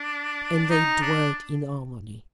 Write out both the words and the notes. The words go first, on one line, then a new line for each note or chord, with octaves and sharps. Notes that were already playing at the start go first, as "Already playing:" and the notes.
And they dwelt in harmony.
Already playing: D4
D#4
D4